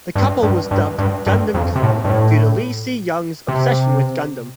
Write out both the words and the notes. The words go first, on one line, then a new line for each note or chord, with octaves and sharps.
The couple was dubbed "Gundam Couple" due to Lee Si-young's obsession with Gundam.
G2
G2
G2
G2
G2
F2
C3
A2
G2
A2
C3